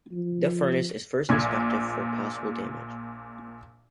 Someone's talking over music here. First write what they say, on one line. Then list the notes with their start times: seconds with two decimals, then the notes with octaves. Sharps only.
The furnace is first inspected for possible damage.
0.12 F3
1.29 A#1 A#2 G#6